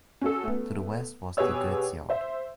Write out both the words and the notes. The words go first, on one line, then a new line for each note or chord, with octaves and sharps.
To the west was the goods yard.
C#4 F#4 A4
A3 B3
B2 G4 G#4 B4 C#5 E6
C5 E5